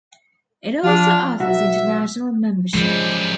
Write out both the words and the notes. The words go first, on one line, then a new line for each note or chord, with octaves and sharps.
It also offers international membership.
F3 D4 F4
B1 F#4 E5
F#2 F3 G3 G#3